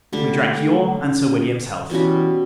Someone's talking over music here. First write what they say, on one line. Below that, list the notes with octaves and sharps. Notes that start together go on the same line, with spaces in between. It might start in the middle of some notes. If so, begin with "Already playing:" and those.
We drank your and Sir William's health.
D3 G3 A3 D4
A3
C#4
B2 E3 G3 C#4 F#4